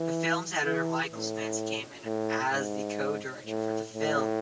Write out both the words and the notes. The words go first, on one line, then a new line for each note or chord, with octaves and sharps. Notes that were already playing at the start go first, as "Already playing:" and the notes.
The films editor Micheal Spence came in as the co-director for the film.
Already playing: E3
E3
A2
A2
G#2
A2
A2